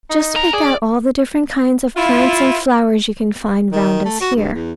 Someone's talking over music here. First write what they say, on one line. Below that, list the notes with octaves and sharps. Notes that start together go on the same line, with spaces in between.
Just pick out all the different kinds of plants and flowers you can find round us here.
D#4
A4 A#5
G#4 D5
E4 F4
D#3
A3
F#4
G2
E2